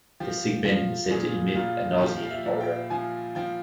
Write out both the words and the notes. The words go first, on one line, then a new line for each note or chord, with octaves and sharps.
The "Sigbin" is said to emit a nauseating odor.
F3 G4
F3
A#2 G#4
A#2 F4
F3 G4
F5
E5
A#2
G5
F3 G#5
F3 G5